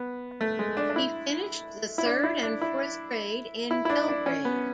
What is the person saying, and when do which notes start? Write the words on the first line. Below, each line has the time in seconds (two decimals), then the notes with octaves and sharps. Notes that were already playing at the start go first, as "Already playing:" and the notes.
He finished the third and fourth grade in Belgrade.
Already playing: B3
0.41 A3
0.59 G#3
0.77 D4
0.90 D4
0.96 E4
1.98 E4
2.05 D4
2.24 E4
2.43 D4
2.62 E4
3.71 E4
3.85 E4
3.90 D4
4.08 D4
4.26 C#4
4.45 B3